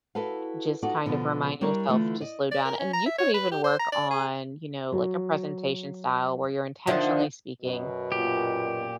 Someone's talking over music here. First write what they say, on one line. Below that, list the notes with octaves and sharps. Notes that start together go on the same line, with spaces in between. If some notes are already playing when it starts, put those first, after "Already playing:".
Just kind of remind yourself to slow down, and you could even work on, you know, like a presentation style where you're intentionally speaking
E4 F#4 A4 B4 F5
D#4 F4 F#4 A4 D5
B2 D3 F3
G3 D4 E4 A#4 C#5
D3 E3 A3 F4
D5 D#5
D5
A#4
C#4
A#5
E5
C#5
B4
G4
C5
A#5
D5
G#4
F#3
D3 D#3 F3 E5 F#5
F#2 B2
A#2 G4